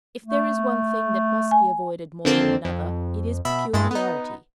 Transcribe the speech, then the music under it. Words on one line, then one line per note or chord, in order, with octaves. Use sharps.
If there is one thing that must be avoided more than another, it is peculiarity.
A3
G#5
F2 D3 A#3 C4 A5 C6
F2
B2 E5 B5
G2 G#3 E4 A6
B3 D#4